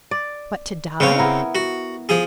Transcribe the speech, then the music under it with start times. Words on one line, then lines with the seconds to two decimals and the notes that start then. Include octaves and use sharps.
But to die?
0.11 D5
1.00 C#3 C4 B4 C#5 F5
1.19 B3 E4 A#4
1.55 F#4
2.09 F3 G#4